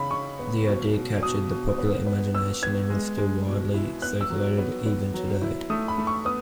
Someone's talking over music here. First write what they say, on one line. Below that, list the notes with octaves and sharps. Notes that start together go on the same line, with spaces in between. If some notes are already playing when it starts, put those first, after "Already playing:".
The idea captured the popular imagination and is still widely circulated even today.
Already playing: C#3 D#4 B5
C#3 C#6
B3
B2
B2
B2 D#6
B2
B3
B3
B3 E6
B3 G#6
G#3
G#3
B2
E4
B3 F#6
E6
F#3
B3
B3
F#3
E4
A3 D#6
B5
A3
C#6
B3 D#6